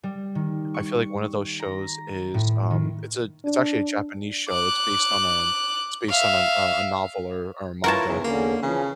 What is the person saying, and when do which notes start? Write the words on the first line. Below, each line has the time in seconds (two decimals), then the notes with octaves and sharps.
I feel like one of those shows is, um, it's a it's actually a Japanese show, it's based on, um it's based on a a a novel, or or a manga,
0.03 G3
0.35 D#3
0.74 C#6
1.59 A#5
2.34 A2
2.71 D#3
3.45 D4
4.49 D6 F#6
6.09 E5 F5
7.84 E4 F4 A#4 B4 C#5 A5
8.08 E2 G#2 C#3
8.24 E2 D3 A#3 C#4
8.62 C#3 E3 F3 C#4